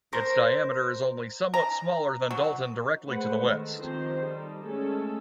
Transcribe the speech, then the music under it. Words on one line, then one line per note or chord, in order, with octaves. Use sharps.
Its diameter is only somewhat smaller than Dalton directly to the west.
A#4 C5
A#5
F#3
G#3 A3 B4 C5 F#5
D#3 A4
D#3 F3 C4 G4 C5
G3 D#4 A4
G#3 A3 C#4 A4